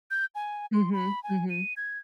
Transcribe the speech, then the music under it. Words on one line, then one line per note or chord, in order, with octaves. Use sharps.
Mhm, mhm.
G6
G#5
C6
B5
G#5
D#7
G#6